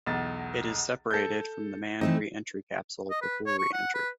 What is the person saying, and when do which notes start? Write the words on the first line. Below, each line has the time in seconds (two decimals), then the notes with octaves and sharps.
It is separated from the manned reentry capsule before reentry.
0.06 B1 E2 A6
1.11 A4 G6
2.01 E3 A3 C4 D#4
3.10 D#5
3.22 B4
3.46 C#5
3.58 C#6
3.73 F#5
3.94 B4